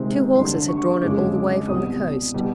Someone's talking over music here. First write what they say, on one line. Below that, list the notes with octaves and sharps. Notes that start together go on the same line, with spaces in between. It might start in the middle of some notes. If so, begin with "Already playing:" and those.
Two horses had drawn it all the way from the coast.
Already playing: C3 D#3 G#3 C4 D#4
D#2 D3 G3 C6
C#6
F2 C#3 F3 G#3 C#4 D6
D6
C2 B2 G3 D#6
B2 G3